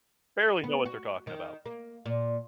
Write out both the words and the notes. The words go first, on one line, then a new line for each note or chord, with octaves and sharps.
Barely know what they're talking about,
B3
F#4
D#3
A#3
A#2